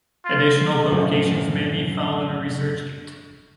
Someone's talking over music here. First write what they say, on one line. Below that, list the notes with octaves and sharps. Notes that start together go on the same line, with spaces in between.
Additional publications may be found on Research Gate.
F4
F#2 A2 F3